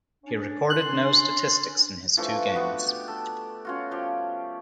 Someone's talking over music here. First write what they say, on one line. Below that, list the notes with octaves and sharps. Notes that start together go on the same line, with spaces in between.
He recorded no statistics in his two games.
C#4 D4
C6 F#6 F#7
E3 F3 A3 D4
B3 F#4
G4
A4
C#4 F4 F#4
F3 G4